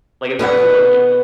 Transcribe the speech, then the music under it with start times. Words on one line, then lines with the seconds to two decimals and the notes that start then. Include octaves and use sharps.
like, in terms of what, you know,
0.39 B2 B4 D#5 F#5